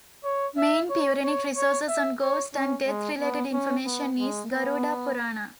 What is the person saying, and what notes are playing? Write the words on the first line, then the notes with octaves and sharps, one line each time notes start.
Main Puranic resource on ghost- and death-related information is Garuda Purana.
C#5
E5
C#5
C#5
C#5
E5
C#5
C#4
G#3
B3
C#4
B3
G#3
B3